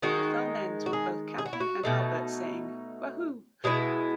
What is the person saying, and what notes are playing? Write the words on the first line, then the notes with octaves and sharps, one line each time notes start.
The film ends with both Catherine and Albert saying Wahoo!
D#3 G#3 D#4 F#4
F#4
G#4
G#4
F#4
E4
F#4
B2 A3 D#4
B2 G#3 B3 E4 G#4